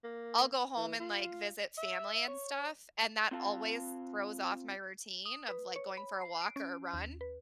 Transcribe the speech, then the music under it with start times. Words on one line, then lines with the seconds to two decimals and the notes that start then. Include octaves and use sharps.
I'll go home and, like, visit family and stuff, and that always throws off my routine of, like, going for a walk or a run,
0.04 A#3
0.77 E3
1.00 F4
1.78 E5
2.28 C#5
3.31 C4 F4 F5 A5
5.25 D#6
5.48 B4
5.76 C#5
5.97 B5
6.21 C7
6.42 D7
6.56 C#4
6.93 D#2
7.21 B4